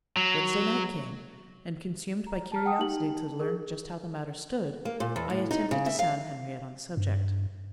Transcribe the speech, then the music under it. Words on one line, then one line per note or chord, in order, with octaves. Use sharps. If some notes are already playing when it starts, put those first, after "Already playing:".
Wednesday night came, and, consumed by curiosity to learn just how the matter stood, I attempted to sound Henriette on the subject.
F#3
A#5
A5 A#5 F6
F#5 G5 A5 D#6
D#4 G4 F#7
G#4 A#4
A#3
A#2
E2
A2
D#4
C#3
E5
F5
G2